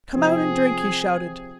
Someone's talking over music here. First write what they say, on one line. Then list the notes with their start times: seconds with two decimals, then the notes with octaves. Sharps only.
"Come out and drink," he shouted.
0.14 C3 F3 C4 G#4